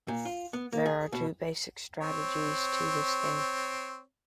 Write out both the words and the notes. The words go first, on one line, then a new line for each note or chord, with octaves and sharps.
There are two basic strategies to this game.
A#2
F4
B3
A#3
G#4
B2
C4 C#5